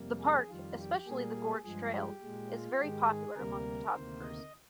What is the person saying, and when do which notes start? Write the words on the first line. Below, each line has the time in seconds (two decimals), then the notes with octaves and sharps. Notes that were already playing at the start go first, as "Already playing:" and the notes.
The park, especially the Gorge Trail, is very popular among photographers.
Already playing: F2 C3 G3 A#3
0.20 G#4
0.49 F2 D#3 G3 F4
0.79 G4
1.06 A#2 G3 A#3 G#4
1.63 G2 F3 G#3 G#4
1.93 G4
2.22 A#2 G#3
2.49 F4
2.79 G#2 D#3 G#3 G4
3.07 G#4
3.36 D2 C3 G3 A#3 A#4
3.93 D2 C3 D#3 A#3 C5
4.22 D#5